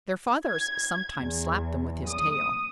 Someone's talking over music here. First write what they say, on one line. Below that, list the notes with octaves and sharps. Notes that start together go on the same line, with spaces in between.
Their father sometimes slapped them with his tail.
G#6
E2
D#6